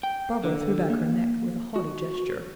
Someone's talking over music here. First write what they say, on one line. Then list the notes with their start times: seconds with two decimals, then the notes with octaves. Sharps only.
Barbara threw back her neck with a haughty gesture.
0.03 G5
0.44 D3
0.90 A#3
1.76 F#4